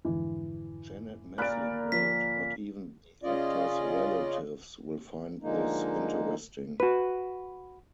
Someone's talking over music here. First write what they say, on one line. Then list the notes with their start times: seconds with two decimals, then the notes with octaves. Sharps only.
Janet Maslin wrote Not even the actors' relatives will find this interesting.
0.05 F2 G#2 D3 E3
1.38 A#2 A#4 B5 F#6 A6 D7
1.92 F3 B6
3.24 C#3 C#4 F4 D5 D#5
5.42 D3 F3 G#3 A#3 D#4
6.80 F#4 B4